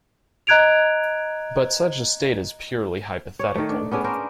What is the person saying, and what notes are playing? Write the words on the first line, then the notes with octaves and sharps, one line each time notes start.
But such a state is purely hypothetical.
D#5 A#5 F#6 G#6 D7 F7
C#5 D5
D#3 A3
D4
B3 C#4 D4 G#4
C#4 D4 A#4 C5